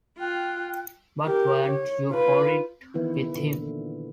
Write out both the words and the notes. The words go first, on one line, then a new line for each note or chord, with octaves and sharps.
But weren’t you horrid with him?
F4 G5 F#6
G4 A#4
C#5
F4 B4
D#3 E3 B3 E4
A#2 D3